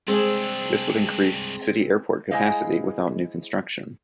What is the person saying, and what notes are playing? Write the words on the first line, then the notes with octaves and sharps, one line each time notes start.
This would increase city airport capacity without new construction.
C2 G#3 C4 D4 G#4
G#3 E4 G#4 C5 D#5 F5